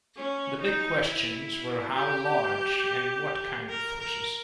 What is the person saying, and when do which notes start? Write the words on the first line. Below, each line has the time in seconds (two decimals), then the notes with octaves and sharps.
The big questions were how large and what kind of forces.
0.16 C#4
0.61 D#4
1.05 E4
1.93 G4
3.70 A#4
4.00 A#4